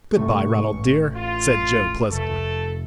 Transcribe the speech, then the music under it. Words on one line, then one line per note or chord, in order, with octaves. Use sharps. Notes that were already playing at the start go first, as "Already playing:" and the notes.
"Good-by, Ronald dear," said Joe pleasantly.
A2 C3 A3 C#6
A1
F4
F1 A3 A4